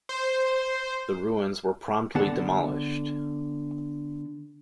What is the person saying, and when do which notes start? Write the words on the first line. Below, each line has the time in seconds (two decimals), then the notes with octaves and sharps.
The ruins were promptly demolished.
0.09 C5
2.15 D3 B3 A4 F#5 A5